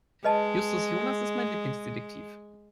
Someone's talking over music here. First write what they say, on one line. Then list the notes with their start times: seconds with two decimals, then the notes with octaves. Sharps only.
Justus Jonas ist mein Lieblingsdetektiv.
0.24 G#3 B4 D#5 A5